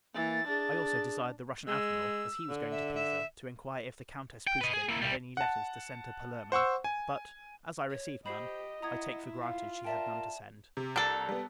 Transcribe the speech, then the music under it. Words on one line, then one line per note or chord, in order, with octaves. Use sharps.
I also desired the Russian Admiral, as he was going to Pisa, to inquire if the Countess Pouschkin had any letters to send to Palermo; but, as I received none, I take for granted she had none to send.
E3 A#3 A6
D4 G#4
G#3 E6
D3
E5
E5
G5
B4 D#5
G#4
A#3 E4
C2 G3
F#5 A5
C5 F#5 C#6 E6
G#5
C#5
G4 C5 D#5 B5 C7
E4 F#5 A#5 D#6 G#6
F4 F5
A#4 D5 E5 G5 A5
C3
C2 D4 A4 A#5
G3 B3